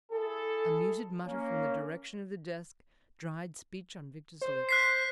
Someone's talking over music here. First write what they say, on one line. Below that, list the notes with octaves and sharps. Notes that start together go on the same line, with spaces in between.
A muted mutter from the direction of the desk dried speech on Victor's lips.
E4 G#4 A4
A#3 C#4
C5
F#6 B6 C7